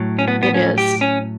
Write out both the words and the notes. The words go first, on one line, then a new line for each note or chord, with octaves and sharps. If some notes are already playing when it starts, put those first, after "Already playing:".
It is.
Already playing: A2 F#3
C#4
B3
B3
C#4
G4
C#4